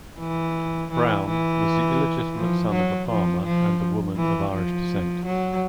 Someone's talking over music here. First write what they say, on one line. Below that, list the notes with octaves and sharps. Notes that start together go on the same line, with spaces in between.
Brown was the illegitimate son of a farmer and a woman of Irish descent.
E3
E3
E3
F3
F#3
F3
F3
E3
F3
F#3